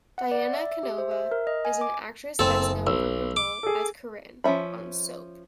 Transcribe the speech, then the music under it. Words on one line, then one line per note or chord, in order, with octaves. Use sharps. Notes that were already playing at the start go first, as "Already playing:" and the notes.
Diana Canova is an actress best known for her role as Corinne on "Soap".
F#5
D5
E5
E5
G4
C5
E5
A#4
D#5
G#5
D6
F#1 C4 A4
B1 E6
D6
G#4 A4
F3 C#4 E5 B5